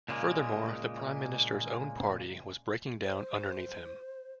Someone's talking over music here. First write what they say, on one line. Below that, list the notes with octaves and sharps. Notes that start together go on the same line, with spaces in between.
Furthermore, the Prime Minister's own party was breaking down underneath him.
A#2 C#3 G3 G#3 A#3
C5